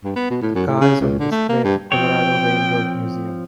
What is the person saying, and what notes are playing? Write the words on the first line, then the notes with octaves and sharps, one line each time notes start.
The car is on display at the Colorado Railroad Museum.
G2
B3
B2
A2
F#2
A2
C#3
C#2
D3
A3
A#3
G2
F3 C4 C#5 G5